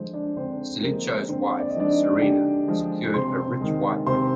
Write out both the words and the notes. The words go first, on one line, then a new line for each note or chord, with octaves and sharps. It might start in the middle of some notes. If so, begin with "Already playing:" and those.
Stilicho's wife, Serena, secured a rich wife for him.
Already playing: D3 F3 G#3 C5
D4 D5
D3 C4 C5
F3 G#3 A#3 A#4
D3 C4 C5
D5
D#5
F3 G#3 D4 D5
D#4 D#5
D3 G4 G5
F3 G#3
C3 C5 C6
D#3 G#3
C3 C5 C6